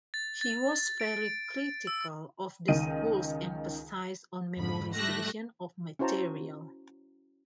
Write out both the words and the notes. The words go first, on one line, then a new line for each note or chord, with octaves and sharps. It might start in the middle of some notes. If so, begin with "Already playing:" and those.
He was very critical of the school's emphasis on memorization of material.
A6
A6
D7
E6
C#2 D#3 D#5 D#7
F2 G#2 D3 B5
G3 A3 G4 E5 F#6 A#6
C#4 E4 F#4 C5 A5 A#5